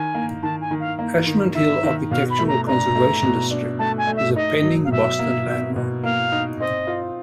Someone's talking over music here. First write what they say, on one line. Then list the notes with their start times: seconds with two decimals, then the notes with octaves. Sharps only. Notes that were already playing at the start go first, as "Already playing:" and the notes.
Ashmont Hill Architectural Conservation District is a pending Boston Landmark.
Already playing: D#3 G#5
0.15 A#3
0.43 D#3 A5
0.61 G#5
0.71 D#3
0.80 F5
0.99 A#3
1.27 D#3
1.54 D#3 E5
1.83 D#3
2.11 B2 F5
2.30 B5
2.39 A3
2.48 A#5
2.67 D4 A#5
2.95 A3
3.23 B2
3.51 D4
3.79 A3 A5
3.98 G#5
4.07 A3
4.16 E5
4.36 D#4 D#5
4.63 F#3
4.85 F5
4.92 B2 E5
5.19 A#3
5.47 B2
5.76 B2
6.03 A#3 F5
6.32 D#4
6.60 C4 D#5
6.87 F4